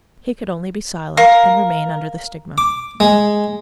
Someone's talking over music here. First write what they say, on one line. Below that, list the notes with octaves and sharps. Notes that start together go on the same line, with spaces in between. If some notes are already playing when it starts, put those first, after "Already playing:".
He could only be silent and remain under the stigma.
A#4 F5
D6
G#3